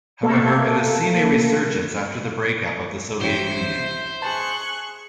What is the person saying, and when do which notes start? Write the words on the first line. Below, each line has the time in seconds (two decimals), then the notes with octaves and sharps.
However, it has seen a resurgence after the break-up of the Soviet Union.
0.23 A3 A#3 A4
3.21 A1 C#4 G4 C5 E5
4.22 G#4 A5 C#6 F#6